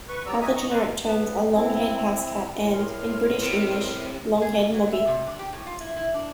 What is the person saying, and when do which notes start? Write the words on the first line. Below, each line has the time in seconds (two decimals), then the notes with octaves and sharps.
Other generic terms are long-haired house cat and, in British English, long-haired moggie.
0.09 B4 C#6
0.26 F#3 G3 B3 D5 A#5 E6
0.41 F#4 E5 G#5 D#6
0.55 D#5 A#5 C#6
0.70 A#3 C4 F4 B4
1.06 B3
1.54 C4 E4
2.57 A2 A#5
2.73 A#4 C6 F6
3.42 C3
4.42 G#4
4.58 C3
4.74 F#3
4.92 E5
5.07 C3
5.26 D4
5.39 G4
5.53 A2
5.66 F4
5.80 E4
5.97 E4
6.14 D4